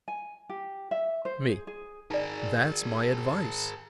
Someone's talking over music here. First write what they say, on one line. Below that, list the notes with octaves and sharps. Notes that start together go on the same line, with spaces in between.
ME: That's my advice.
G#5
G4
E5
C5
G#4
G#4
D#4 G#4 A#4 D5